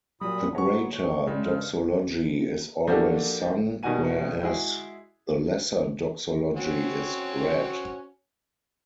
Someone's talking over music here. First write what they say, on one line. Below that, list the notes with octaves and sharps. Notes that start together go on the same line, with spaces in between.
The Greater Doxology is always sung, whereas the Lesser Doxology is read.
A#2 F#3 G3 B5 D#6
F#3 B3 C#5 C#6
C#3
C#3 G3 G#3
G2 F6
F3 A#3 D4 F#4 G4 A4
B2 D#3 G3 F#4 G#5 D#7
G#3 E4 F#4 G#4
C4 C#4 F#4